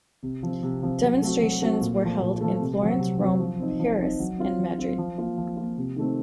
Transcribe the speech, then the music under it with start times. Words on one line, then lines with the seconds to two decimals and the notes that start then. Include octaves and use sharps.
Demonstrations were held in Florence, Rome, Paris and Madrid.
0.23 C3
0.43 F3 C4
0.63 C3
0.83 F3 C4
1.02 F#3
1.22 A3 C4 F#4
1.42 F#3
1.62 A3 C4 F#4
1.81 A#2
2.01 F3 A3
2.21 A#2
2.41 F3 A3
2.60 C3
2.81 F#3 C4 F#4
2.99 C3
3.20 F#3 C4 F#4
3.39 F3
3.59 C4 D#4
3.79 F3
3.99 C4 D#4
4.19 F#3
4.38 C4 F4
4.58 F#3
4.78 C4 F4
4.98 F3
5.18 A#3 F4
5.37 F3
5.57 A#3 F4
5.77 C3
5.96 D#3 A3 C4